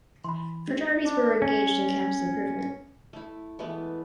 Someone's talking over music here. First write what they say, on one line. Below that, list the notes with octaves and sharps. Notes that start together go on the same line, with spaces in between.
Fraternities were engaged in campus improvement.
E3 B5 C6
A3 D4 D#4 G4
D4
C#4
A3 E4
E3 G#3 A3 B3